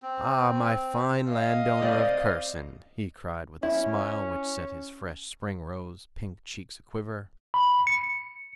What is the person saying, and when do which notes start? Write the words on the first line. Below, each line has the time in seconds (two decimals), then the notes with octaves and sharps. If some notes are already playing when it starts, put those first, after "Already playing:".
"Ah, my fine landowner of Kherson!" he cried with a smile which set his fresh, spring-rose-pink cheeks a-quiver.
0.02 C4
1.30 D#5 F5
1.82 C4 D5
3.63 C#4 E4
7.54 B5
7.87 C#7